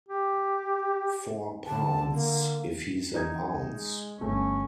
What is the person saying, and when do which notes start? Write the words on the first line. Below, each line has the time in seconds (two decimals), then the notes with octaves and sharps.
Four pounds if he’s an ounce.
0.09 G4
1.67 D3 A5
2.13 A#3
3.14 D#4 G#6
3.70 G#3
4.21 G1 A3 C#4